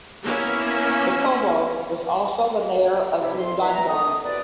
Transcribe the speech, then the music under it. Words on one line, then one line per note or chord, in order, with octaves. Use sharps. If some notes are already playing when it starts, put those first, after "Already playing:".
Ngcobo was also the mayor of Ulundi.
A#3 B3 C#4 E4
C3 D#3 G3 E4
F2 C6
D4 E4 F#4 B4
E5 F#5 G5 A#5
A3 D#6
C2 B2 B4 D5